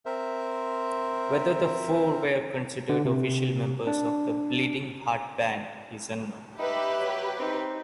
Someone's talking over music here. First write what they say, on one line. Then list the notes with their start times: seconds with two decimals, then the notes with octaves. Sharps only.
Whether the four were considered official members of The Bleeding Heart Band is unknown.
0.06 C4 A#4 C5 E5
2.89 D3
3.05 C3
3.87 D4
6.58 D#4 G4 B4 E5
6.99 F#3
7.39 C4 D#4